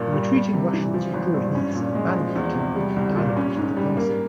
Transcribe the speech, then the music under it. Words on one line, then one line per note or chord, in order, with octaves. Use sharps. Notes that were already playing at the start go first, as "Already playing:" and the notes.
The retreating Russians, withdrawing east, abandoned the town and dynamited the castle.
Already playing: G2 A#2 A#3
G3
G3
C3
E3
F3
G#1
G2
C#4
A#2
G#3
F3
E2
C3
G3
C2
A#2
C#4
G#2
G3
A#3